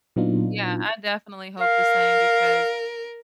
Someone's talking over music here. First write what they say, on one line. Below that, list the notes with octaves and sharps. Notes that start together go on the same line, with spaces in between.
Yeah, I definitely hope the same, because
A#2 F#3 B3 D4 D#4 F4
A#4 F5